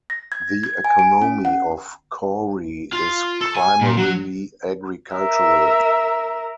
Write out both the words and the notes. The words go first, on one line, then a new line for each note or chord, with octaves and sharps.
The economy of Koori is primarily agricultural.
A#6
G#6
G#6
G#5
D7
C#4
F#5
F4
A4
G#5
A#2
F#3
A#4 E5